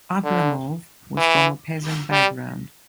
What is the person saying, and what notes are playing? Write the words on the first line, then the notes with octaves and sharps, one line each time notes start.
Abramov was from a peasant background.
D3
E3
G3